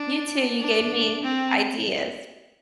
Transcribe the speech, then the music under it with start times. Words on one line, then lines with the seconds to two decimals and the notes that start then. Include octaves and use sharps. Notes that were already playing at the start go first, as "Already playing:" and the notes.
You too. You gave me ideas.
Already playing: D4
0.60 D4
1.24 C4